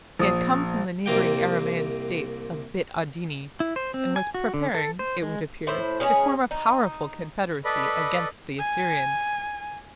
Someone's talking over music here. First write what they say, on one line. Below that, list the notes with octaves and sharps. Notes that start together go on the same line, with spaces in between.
He had come from the neighbouring Aramaean State of Bit-Adini, and was preparing, it would appear, to form a powerful confederacy against the Assyrians.
A#1 D#6
C2 C3 A#3 G5
E4
C5
C4
G#5
F#4
D3
A4
C5
G#3
A2 E4 C5
G#3 B3 C#4 G#4
D#4
A4 B4 D5 D#5 B5
G#5